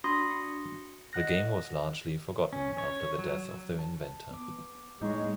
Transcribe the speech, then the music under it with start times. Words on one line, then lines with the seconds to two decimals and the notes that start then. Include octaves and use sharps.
The game was largely forgotten after the death of the inventor.
0.04 D4 F#4 B5 C6 D#6 A#6
0.30 C#7
1.13 D#5 F#5 F#6 A#6
2.53 C#4
2.78 C#5
3.19 F#3
3.79 A5
4.31 B3 D6
5.01 A2 G#3 D#4 C#5